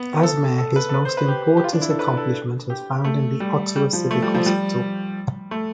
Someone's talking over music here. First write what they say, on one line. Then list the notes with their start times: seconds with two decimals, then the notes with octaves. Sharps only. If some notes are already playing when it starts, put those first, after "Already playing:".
As mayor his most important accomplishment was founding the Ottawa Civic hospital.
Already playing: B3
0.23 A4
0.58 A4
0.76 B4
0.89 A4
0.94 B4
1.05 C5
1.17 B4
1.28 G4
1.57 G4
1.64 F4
1.73 D4
1.81 E4
1.90 A4
1.99 B4
2.17 A4
2.70 G4
3.04 A3
3.40 G3
3.76 G3
3.93 F3
4.11 A3
4.22 G3
4.34 F3
4.46 G3
5.51 A3